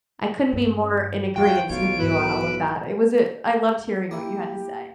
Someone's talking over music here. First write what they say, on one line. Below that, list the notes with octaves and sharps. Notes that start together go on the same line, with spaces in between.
I couldn't be more in agreeance with you on all of that, it was a I loved hearing what you had to say.
G2
F2 F4 F#4 G5
B1 F#3 A3 F4 C#5 D7
G#2 B4 E6 F#6
A#3 E4 G4